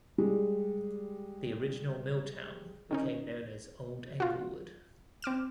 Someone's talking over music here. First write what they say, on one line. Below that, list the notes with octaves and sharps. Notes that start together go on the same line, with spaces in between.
The original milltown became known as "Old Englewood".
G3 G#3
D#3 C#4 D#4
F4 F#4
C4 D6 F6 E7